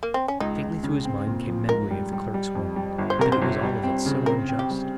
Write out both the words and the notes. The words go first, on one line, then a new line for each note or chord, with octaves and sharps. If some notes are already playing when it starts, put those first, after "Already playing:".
Faintly through his mind came memory of the clerk's warning: but it was all of it so unjust!
A#3
C4
C#4
C#2 D#4
C#2
C#3
C4
A#2
F3
G#2 A#4
G3
G3
G3
F2
G3
G1
C5
C3 A#4
C5
G1
G3
C4
C#3
C4 A#4
C4
G4
G3